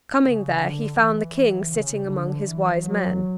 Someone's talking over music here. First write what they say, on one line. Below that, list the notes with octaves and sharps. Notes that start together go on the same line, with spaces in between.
Coming there, he found the King sitting among his wise men.
C#3
D3
E3
C#3
D3
E3
F#3